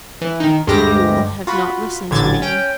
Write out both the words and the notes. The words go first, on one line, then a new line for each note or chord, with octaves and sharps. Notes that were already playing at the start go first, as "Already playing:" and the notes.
You have not listened to me.
E3
D#3 D#4
D2 G2 G#3 G4 A#6
F4 F#4 B5
A1 A#2 D3 G#6 A6
C#4 G5